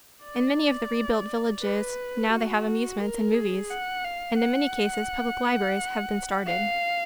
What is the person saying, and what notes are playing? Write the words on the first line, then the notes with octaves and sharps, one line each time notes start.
In many of the rebuilt villages now they have amusements and movies and in many cases public libraries have been started.
D5
B4
F#4
A#4
G#4
F#5
F5
F#5
F5